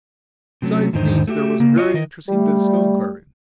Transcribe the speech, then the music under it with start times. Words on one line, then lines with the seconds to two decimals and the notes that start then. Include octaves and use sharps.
Besides these there was a very interesting bit of stone carving.
0.62 C3 F#3 A3 C#4
0.93 E2 G#2 D3 D#3 D#4 C5
1.27 A3 F#4 G4 E5
1.60 C#3 A#3
1.76 F4 C#5 D#5
1.94 D#3 A#4 D#5
2.28 G3 A3